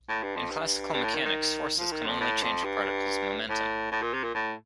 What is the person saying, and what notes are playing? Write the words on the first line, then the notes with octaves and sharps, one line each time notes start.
In classical mechanics, forces can only change a particle's momentum.
A2
G2
F2
G2
G2
A2
D#3
D#3
F3
D#3
F2
A2
F2
G2
A2
A2
A#2
C3
A#2
A2